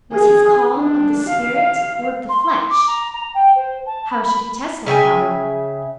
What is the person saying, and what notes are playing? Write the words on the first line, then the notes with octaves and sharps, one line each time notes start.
'Was his call of the spirit or of the flesh?' How should he test that problem?
G#4
D4
F5
C6
C6
D6
A#5
A#5
G5
C5
A5
B5
B5
C#3 E5 G5 G#5